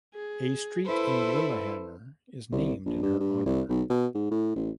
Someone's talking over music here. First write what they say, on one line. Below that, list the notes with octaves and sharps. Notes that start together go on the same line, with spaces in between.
A street in Lillehammer is named in her honor.
G#4
E4 A4 B4 C5
C2
A#1
G2
G2
C2
B1
B2
G#2
A2
A1